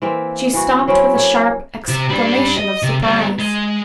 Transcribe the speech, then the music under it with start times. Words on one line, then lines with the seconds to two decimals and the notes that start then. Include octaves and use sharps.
She stopped with a sharp exclamation of surprise.
0.02 E3 A#3 C4 E5
0.53 E3 F#4
0.87 F#3 C4 C#4 E4
1.16 A#3 A4 C#5
1.88 C3
2.10 G3 D4
2.57 D#5
2.83 C3
3.03 G3 B3
3.39 G#3